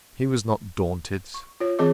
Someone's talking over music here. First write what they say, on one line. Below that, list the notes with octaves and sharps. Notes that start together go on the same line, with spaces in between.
He was not daunted.
C#6
F4 C#5
E3 C4 G#4 C#5 D#5 D6